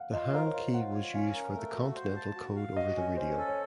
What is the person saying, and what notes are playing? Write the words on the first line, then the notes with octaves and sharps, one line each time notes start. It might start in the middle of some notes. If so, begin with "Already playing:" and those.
The hand key was used for the continental code over the radio.
Already playing: F5 F#5
F4 D#5
A#4 C5
C#5
F4
C5
F4 F#5
C#5
C#4 F5
A#4
A3
F#4
C5
A5
F#4
F5
F#4 D#5
C#4
C#4 C5
A4
C#5